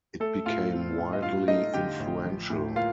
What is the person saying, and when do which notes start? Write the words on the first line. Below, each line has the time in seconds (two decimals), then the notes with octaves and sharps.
It became widely influential.
0.20 A3 A4
0.46 A2 F4 F5
0.71 C4
0.98 A2
1.13 D#5
1.22 G2 F4 F5
1.48 A3 D#4 D#5
1.74 D3 G4 G5
2.00 A1
2.25 F3
2.50 A2
2.75 A#3 F4 F5